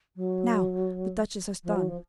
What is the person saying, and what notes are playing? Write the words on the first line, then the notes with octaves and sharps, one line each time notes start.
Now--the duchess has done.
F#3
F3
F#3
F3